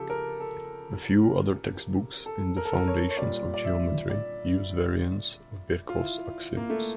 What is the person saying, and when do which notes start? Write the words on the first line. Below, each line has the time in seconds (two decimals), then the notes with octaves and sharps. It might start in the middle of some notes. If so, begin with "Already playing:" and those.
A few other textbooks in the foundations of geometry use variants of Birkhoff's axioms.
Already playing: C#3 F3 G4 A4
0.10 A#4
0.40 A4
2.26 A4
2.57 A#4
2.65 A4
2.74 A#4
2.88 C#5
3.10 C#5
3.17 A#2 G3 D5
3.54 D5
3.65 E5
4.10 D5
5.89 F4
5.95 E4
6.57 A#3
6.70 A3